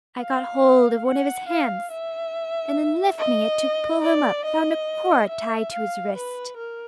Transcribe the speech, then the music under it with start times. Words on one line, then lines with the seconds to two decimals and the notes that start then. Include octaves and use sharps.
I got hold of one of his hands, and in lifting it to pull him up found a cord tied to his wrist.
0.20 F5
1.06 F#5
1.48 F5
1.91 E5
3.18 D#5
4.02 D5
4.44 D#5
5.29 E5
5.72 F5
6.15 B4
6.57 A#4